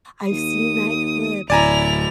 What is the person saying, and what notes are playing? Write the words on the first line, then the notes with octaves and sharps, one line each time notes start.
I've seen that clip.
D#2 D#6
D1 E4 D5 G#5 A#5 F7